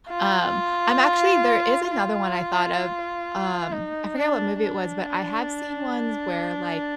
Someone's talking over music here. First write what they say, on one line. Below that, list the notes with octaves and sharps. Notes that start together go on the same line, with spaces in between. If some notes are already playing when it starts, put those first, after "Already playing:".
um, I'm Actually, there is another one I thought of, um, I forget what movie it was, but I have seen ones where like,
F4
F4
D#4
D4
D4